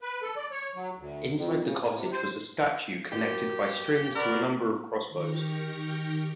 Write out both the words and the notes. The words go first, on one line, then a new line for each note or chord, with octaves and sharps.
Inside the cottage was a statue, connected by strings to a number of crossbows.
B4
A4
D5
C#5
F#3
D2
F2
C#3
A2
C3
C5
F#2 A#3 G4 G5
F#4 A#4 B4 D5
D#3 G4 G5 C#6 F6 A#6